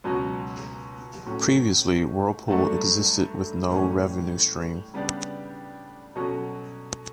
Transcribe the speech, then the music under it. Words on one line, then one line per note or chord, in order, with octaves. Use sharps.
Previously, Whirlpool existed with no revenue stream.
C#2 B2 F#3 C#4 F#4
A2 F#3 C#4 F#4
G2 F#3 A3 D4
A2 E3 G3 C#4
C#3 G3 B3 D4 G4
B2 F#3 C#4 F#4 A4